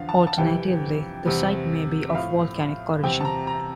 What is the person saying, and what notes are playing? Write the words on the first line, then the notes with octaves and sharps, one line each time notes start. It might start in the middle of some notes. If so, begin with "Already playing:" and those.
Alternatively, the site may be of volcanic origin.
Already playing: E2 D3 F3 F5
A5
A5
F2 C3 E3 G3 G5
E2 C3 G3
E5
A2 F3 F5
E2 C3 G3 G5
A5
A#5
A#5